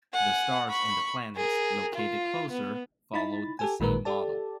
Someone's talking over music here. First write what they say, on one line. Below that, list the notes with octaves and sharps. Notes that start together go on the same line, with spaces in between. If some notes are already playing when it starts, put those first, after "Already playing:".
The stars and the planets, located closer, followed the same model.
F#5 G#5
B5 C#6
G#4 A#4
F4
B3
D#4 E4 B5 A6
G4 A4 G#5
A1 A#2 D#3 G#3 A#4 B4
G4 A4 D5 A5